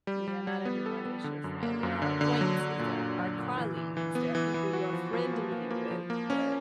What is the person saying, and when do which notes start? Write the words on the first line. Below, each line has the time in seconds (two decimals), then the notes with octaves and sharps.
yeah, not everyone is your friend. There are acquaintances, there are colleagues, there are people you are friendly with, but
0.07 G3
0.28 G3
0.47 G3
0.65 B3
0.86 A4
1.05 B3
1.24 D3
1.44 F#2
1.63 A#3
1.83 F#2
2.02 D3
2.21 D3
2.41 F#3
2.60 F#3
2.79 A#2
2.99 A#2
3.19 F#3
3.39 A#2
3.57 E3
3.77 E3
3.97 E3
4.15 B3
4.35 E3
4.54 E3
4.73 F#4
4.93 F3
5.13 F3
5.33 A#3
5.52 A#3
5.71 A#3
5.91 F3
6.10 A#3
6.30 C#4